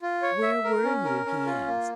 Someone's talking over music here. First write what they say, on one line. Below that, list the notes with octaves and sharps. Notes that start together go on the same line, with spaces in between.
"Where were you?" he asked.
F4
C#5
E5
A#4
C#4
A#4
C#4
F4
A#3